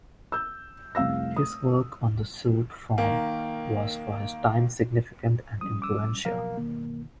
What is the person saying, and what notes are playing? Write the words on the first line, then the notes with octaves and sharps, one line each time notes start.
His work on the suite form was for his time significant and influential.
E6 G6
F1 C2 F5 E6 A#6
D#6
D#3 A#3
F3 G3 C#4 D#6
D6 E6
B2 F3 F#3 A#4 F5
G1 B2 D#3 A#3